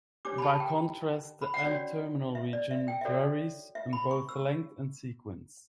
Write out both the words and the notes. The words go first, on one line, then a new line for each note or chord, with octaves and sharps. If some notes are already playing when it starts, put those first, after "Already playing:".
By contrast, the N-terminal region varies in both length and sequence.
D4 G4 C#5 D6
B5
A5
G5
B5
F#5
C#4 F#4 C#5 D5
E5
D5
E5
G5
E5
F#4 A4 C#5 D5
E5
B5
C#6
E6